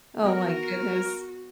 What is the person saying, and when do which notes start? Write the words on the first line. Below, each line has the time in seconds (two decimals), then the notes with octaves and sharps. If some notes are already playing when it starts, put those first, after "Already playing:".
Oh, my goodness.
0.24 B3 F#4 A#4